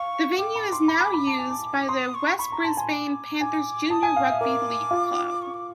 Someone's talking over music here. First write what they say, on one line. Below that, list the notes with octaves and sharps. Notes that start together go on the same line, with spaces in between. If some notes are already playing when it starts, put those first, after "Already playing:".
The venue is now used by the West Brisbane Panthers Junior Rugby League Club.
Already playing: F5 C#6
G5 D6
B5
C6
B5
B5
B5
A5
G#5
A5
C#6
D6
C6 D#6
C#6
B5 C#6
A#5
A5 C6
B5
G#5 C6
D6
G#5 D6
A5 D#6
G#5
F5
E5
A#4 D6
F4
C#6
D6